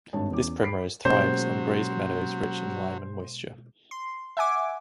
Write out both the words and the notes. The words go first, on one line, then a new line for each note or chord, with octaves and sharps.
This primrose thrives on grazed meadows rich in lime and moisture.
G#1 G2 C#5 A5
E2 C#4 D6
B5 B6 C7 D7
B2 F#3 G#3 A#3 C#4 G4 C5
C6
E5 F#5 G#5 D6